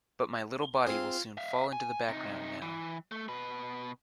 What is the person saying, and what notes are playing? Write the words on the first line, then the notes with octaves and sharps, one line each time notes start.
But my little body will soon fall into the background now.
C4 F4 G#4
E5 F5
G#5
C3 D#4
E3
A3
B2 B4